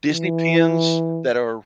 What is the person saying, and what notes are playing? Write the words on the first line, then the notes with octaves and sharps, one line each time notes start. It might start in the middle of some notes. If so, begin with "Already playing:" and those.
Disney pins that are,
E3